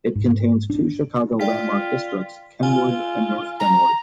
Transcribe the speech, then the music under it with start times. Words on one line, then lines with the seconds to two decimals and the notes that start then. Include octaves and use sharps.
It contains two Chicago Landmark districts, Kenwood and North Kenwood.
0.15 G#2
0.70 D4
1.40 F4 D5 G5 B6
2.63 F4 G#5
3.60 A#5